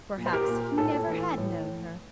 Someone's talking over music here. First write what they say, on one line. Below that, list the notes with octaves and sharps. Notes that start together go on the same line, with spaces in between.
Perhaps he never had known her.
A#2
C5
G4 A#4
A#2
A2 A4
E3
A2